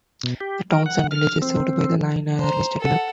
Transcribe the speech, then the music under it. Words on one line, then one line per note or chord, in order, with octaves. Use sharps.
The towns and villages served by the line are listed below.
B2
G4
A#4
F#5
F6
C4
C5 A#5
A4 F#5